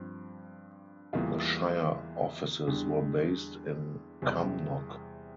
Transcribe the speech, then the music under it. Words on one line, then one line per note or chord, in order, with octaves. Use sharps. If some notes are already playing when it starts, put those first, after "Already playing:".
The shire offices were based in Cumnock.
Already playing: G2 F3 C4
E2 E3 G3 A#3 F4
E2 D3 G3
E2 C3 G3